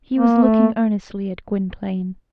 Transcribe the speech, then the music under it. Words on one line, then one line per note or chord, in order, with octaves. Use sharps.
He was looking earnestly at Gwynplaine.
A#3
A3